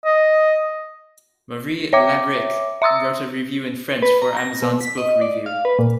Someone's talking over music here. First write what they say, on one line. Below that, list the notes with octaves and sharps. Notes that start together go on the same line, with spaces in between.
Marie Labrecque wrote a review in French for Amazon's book review.
D#5
C#5 E5 D6
E5 C6 D#6 E6
B4
A#5
A#6
B2
B6
D#5
D5
F5
B4
A#2